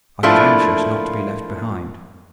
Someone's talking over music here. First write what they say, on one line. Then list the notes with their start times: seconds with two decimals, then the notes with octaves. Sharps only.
I was anxious not to be left behind.
0.23 F3 A3 A#3 D4 E4 F4